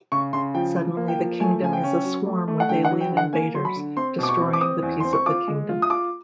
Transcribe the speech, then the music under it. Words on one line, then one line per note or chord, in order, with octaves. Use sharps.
Suddenly the Kingdom is aswarm with alien invaders, destroying the peace of the kingdom.
C#3 C#6
C#3 C6
F3 G5
F3
A#3
G5
F3
A3 G#5
C#3 G#5
G5
C#4
F#3
A3
A3
F#5
D3 G5
F#5
F#3
G5
D3
F#5
A#3 G#5
F#3 C6
B5
D3
C4 C6
B2 D6
C#6
C4
D6
C4 D#6
E2
C4 C6
C#6
F4 D6
G#3
F4
D#6
F4 D6